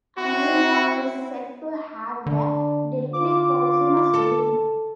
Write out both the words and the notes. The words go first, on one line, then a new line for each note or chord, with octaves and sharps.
Amaymon is said to have a deadly poisonous breath.
C4 E4 F#4
D3 D4
F4 D6
A4